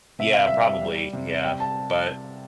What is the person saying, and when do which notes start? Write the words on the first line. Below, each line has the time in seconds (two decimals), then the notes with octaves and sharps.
yeah, probably, yeah, but
0.19 C3 E5
0.34 F5
0.47 G3 E5
0.81 G3
1.13 C3
1.44 G3 G5
1.60 A5